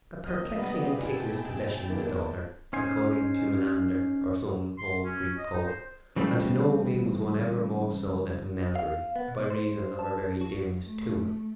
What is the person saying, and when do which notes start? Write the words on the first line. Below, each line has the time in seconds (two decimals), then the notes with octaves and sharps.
"A perplexing and ticklish possession is a daughter," according to Menander or some old Greek poet, and to nobody was one ever more so than to Melbury, by reason of her very dearness to him.
0.24 F2 A#3 D#5 F6
0.54 G2 C3 G3 B3 B4
0.99 B2 D#4 E4 F#4 G#4 G5 A5
1.88 D#3 G#3 A#3 B3 D4
2.73 C#4 D#4 C5 G#5
4.78 C6
5.05 C#4
5.38 D#5
5.53 D#4
5.67 C5
6.16 C#3 E3 G3 A3 C4
8.76 F5
9.16 B3
9.28 B2
9.50 C5
9.99 A5
10.41 F#4
10.85 A3